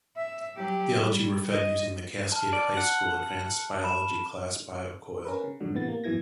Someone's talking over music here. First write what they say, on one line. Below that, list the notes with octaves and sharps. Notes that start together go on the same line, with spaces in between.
The algae were fed using the Cascade High School Advanced Biology Class Biocoil.
E5
F#3 G4
G3
D#5
A5 F6
D5
F#5
B5 E7
C#4 A#4 B4
C#3
F2 G#2 D3 F#3
A2 C3 E3 B3 A6
A#3
G#1 F#2 B2 E3 G#6 A#6